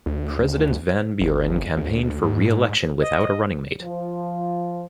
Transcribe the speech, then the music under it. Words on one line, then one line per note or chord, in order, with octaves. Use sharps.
President Van Buren campaigned for re-election without a running mate.
D2
G1
D2
G#2
D#5
F3